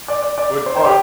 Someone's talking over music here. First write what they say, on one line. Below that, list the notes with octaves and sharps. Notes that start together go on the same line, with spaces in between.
What part
D5
D5
D5
C5
C5
G4